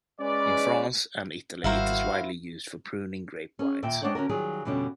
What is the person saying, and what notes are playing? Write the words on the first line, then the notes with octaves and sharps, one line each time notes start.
In France and Italy it is widely used for pruning grape vines.
G#3 C#4 B4 D5
G#1 G3 E4 F#4 A#4 C5 F5
C#4 G#4
D#2 A#2 E5 G5
G#3 D4 C5 C#5 F#5 G5
D3 C#4 F#4 A#4
D#3 F#3 G3 F4 G#4
F2 B2 D3 G3 C#4